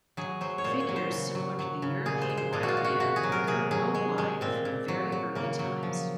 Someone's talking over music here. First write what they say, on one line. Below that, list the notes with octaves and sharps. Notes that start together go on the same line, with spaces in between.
Figures similar to the European wild man occur worldwide from very early times.
F#3 G#4
F#3 C5
C#5
A#2 C5
C#5
F#3
C5
C#3
F#3
F#3
C#3
A#2 G#4
C5
G#3
C5
A#2 G#4
F#4
F4
G#3
F#4
C3 F#4
G#4
F#3
A#4
C3 G#4
F#3 G#4
G#3
G#3
A#2 C4
A#2
F#3
F#3
C#3 A#3
F#3
F3